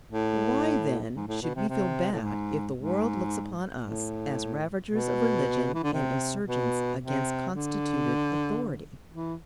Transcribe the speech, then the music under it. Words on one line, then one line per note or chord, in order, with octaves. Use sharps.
Why, then, should we feel bad if the world looks upon us as ravagers of religion and insurgents against constituted authority?
A2
G#2
A2
B2
C3
C3
A2
G#2
G#2
A2
B2
E3
D3
C3
B2
C3
D3
E3